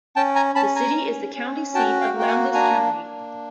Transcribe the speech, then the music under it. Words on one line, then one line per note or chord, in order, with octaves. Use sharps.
The city is the county seat of Lowndes County.
C#4 G5 A5
G#5 A#5
C#4 A5 B5
G#5 A#5
C#4
C#4
F#4 G5 A5
F5 G5
A#3
G5
F#5 G#5
D4 G#5 A#5
A#3